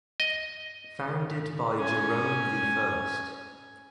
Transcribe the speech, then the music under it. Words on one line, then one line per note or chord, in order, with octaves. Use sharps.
Founded by Jerome the First.
D#5
C#4 G#5